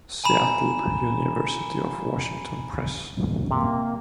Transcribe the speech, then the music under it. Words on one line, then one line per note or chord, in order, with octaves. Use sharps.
Seattle: University of Washington Press.
G#5 A#5 B5 E7
C3 A#3